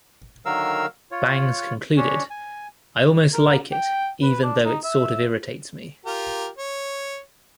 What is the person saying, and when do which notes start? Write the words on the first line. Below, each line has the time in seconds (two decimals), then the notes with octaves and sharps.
Bangs concluded: I almost like it, even though it sort of irritates me.
0.46 D3 D#3 F#3 A#4 F5 E6
1.11 F4 C#5
1.97 C#4 D4 C#5
2.30 G#5
3.33 A#4
3.72 G5
4.22 B4
4.43 D4
4.65 D#4
4.84 E5
6.06 F4 G4 A#4
6.58 C#5